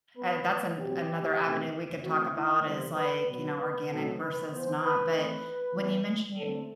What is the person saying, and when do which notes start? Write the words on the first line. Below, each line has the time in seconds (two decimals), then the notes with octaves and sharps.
uh, that's an another avenue we could talk about is, like, you know, organic versus not, but, when you mentioned you e
0.17 E3 B3 B4
0.79 B2 F#3 C4 G4
1.41 B2 A3 C4
2.03 E3 A3 C4 F#4
2.34 E4
2.65 C3 E3 G3 B3 C5
2.96 B4
3.27 B2 F#3 B3 B4
3.59 B4
3.90 B2 F#3 A3 C4 A4
4.21 B4
4.52 E3 B3 C5
4.83 B4
5.14 E3 A3 C4 B4
5.76 E3 B3
6.38 D3 A3 C4 A4